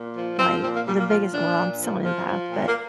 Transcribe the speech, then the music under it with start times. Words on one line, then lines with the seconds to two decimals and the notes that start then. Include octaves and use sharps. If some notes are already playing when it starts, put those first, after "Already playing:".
like, the biggest well, I'm still an empath, but
Already playing: A#2
0.16 F3
0.38 F3 C4
0.62 A#2 C4
0.74 A#3
0.86 A#2 G3
0.98 A#3
1.09 F3 F4
1.33 A#2 D4
1.56 A#2
1.80 F3
2.04 F3
2.28 F3
2.51 A#2
2.67 A#3